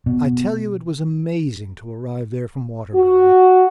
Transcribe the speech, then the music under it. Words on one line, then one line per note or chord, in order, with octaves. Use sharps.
I tell you it was amazing to arrive there from Waterbury.
B2
F#4